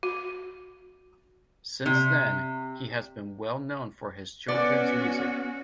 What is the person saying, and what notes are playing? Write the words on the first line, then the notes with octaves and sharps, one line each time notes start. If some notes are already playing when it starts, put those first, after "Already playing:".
Since then, he has been well known for his children's music.
F#4
C3
B3 C#4 F#4 D5